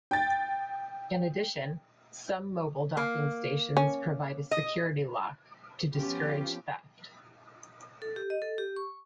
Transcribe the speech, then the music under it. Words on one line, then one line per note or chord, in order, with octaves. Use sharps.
In addition, some mobile docking-stations provide a security-lock to discourage theft.
G5 A6
A#3
C#4
D#5
F3 B3 C#4 F4 G4
A4
G4
D#5
A4
G4
C#6